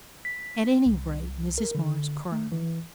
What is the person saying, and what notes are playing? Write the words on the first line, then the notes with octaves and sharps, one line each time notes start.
At any rate, Mrs. Morris cried.
B6
C2
A#4
D3
A3
E3